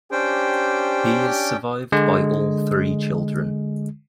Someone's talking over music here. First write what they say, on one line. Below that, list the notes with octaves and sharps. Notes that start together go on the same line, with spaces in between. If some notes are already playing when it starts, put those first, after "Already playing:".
He is survived by all three children.
C#4 D4 G4 C5 G5
D3 G#3